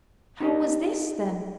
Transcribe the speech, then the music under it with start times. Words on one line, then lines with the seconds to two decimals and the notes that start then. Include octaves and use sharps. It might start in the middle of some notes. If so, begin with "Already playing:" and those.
How was this, then?
0.40 D#4 G4 A#4 D#5